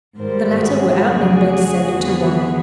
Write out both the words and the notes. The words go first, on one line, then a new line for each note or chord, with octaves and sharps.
The latter were outnumbered seven to one.
G#2 D#3 G3 A#4 C5
F#4 G#4
F2 C#3 F#3 A3 D4
F2 D3 G3 B3